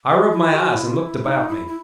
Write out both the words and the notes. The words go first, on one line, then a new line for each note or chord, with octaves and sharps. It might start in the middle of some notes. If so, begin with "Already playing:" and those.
I rubbed my eyes and looked about me.
G#4
F#4
E4
G#4
F#4
E4
F4
E4
E4
D#4
E4
E4